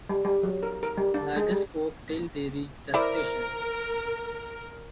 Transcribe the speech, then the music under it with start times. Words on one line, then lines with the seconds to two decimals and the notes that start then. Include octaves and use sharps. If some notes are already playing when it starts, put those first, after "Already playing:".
Neither spoke till they reached the station.
0.09 G3
0.25 G3
0.43 F#3
0.63 A#4
0.83 A#4
0.97 G3
1.14 D4
1.36 G#3
1.51 G3
2.94 E4 A#4 C5 D5